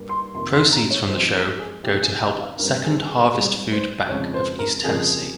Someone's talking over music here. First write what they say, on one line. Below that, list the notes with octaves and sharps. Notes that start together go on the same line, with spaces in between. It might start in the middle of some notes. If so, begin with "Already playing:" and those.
Proceeds from the show go to help Second Harvest Food Bank of East Tennessee.
Already playing: G2 G3 A#3
C6
F2 C3 D#3 A#3 C6
C6
A#5
C#5
G#2 F3 G#3 C4 C5
A#4
G#4
C3 D#3 A#3 C#4 G4
G#4
D#5
F5
G2 G3 C4 A#4
G#4
G#4
G#2 G3 C4 G#4
C5
F2 C#3 F3 G#3 C#5
C5
A#4
F2 C#3 F3 A#3 G#4